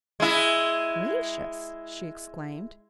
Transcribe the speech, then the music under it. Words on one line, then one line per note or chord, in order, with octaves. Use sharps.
"Gracious!" she exclaimed.
G#3 E4